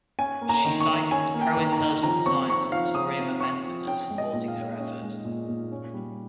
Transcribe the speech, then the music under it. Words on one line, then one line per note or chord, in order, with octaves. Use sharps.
She cited the pro-intelligent design Santorum Amendment as supporting her effort.
C#4 G#5
A#3
A#5
D#3
C#6
D#3
C#4 G#5
A#3
G5
D#3
A#5
D#3
F3 A#5
C4 C#6
C4 C#6
F3 F5
F3 D#6
C4
C4 C#6
F3
C#4 G5
G#3
D#5
A#2
F5
A#2
C#4
G#3
A#2
A#2
C#4
G3